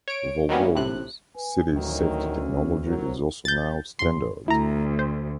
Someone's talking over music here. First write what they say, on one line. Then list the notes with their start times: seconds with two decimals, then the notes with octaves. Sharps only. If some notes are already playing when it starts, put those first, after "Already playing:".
Volvo's City Safety technology is also now standard.
0.08 C#5 D7
0.49 D#3 F#3 G3 A#3 B3 C#4
0.76 A2 C3 F#6
1.36 B4 G#5
1.73 A1 D2 A#2 D#3 F#3
2.40 C#4
2.87 F#3 A#4 C5
3.45 G6 A6
3.99 F2 C6
4.48 D2 E4 A#5
4.99 C5